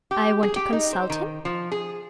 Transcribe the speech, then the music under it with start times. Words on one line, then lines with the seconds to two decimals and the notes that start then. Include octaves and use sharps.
"I want to consult him?"
0.11 G4
0.43 G#4
0.56 G4
0.73 D#4
0.93 C5
1.10 D#3
1.45 F3
1.72 G#4